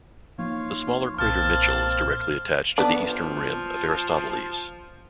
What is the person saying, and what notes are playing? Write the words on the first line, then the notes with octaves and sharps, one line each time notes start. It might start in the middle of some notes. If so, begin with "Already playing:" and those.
The smaller crater Mitchell is directly attached to the eastern rim of Aristoteles.
F3 A#3 D#4 F4 C#5 F5
B1 A#2 A#3 C4 C5 A5 F6
B3 D4
F3